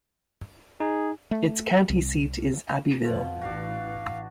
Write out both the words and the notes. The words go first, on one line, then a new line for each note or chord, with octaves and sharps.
Its county seat is Abbeville.
D#4 G#4
A3
C2
F2 B2 F3
A1 E3 D4 F#4 F5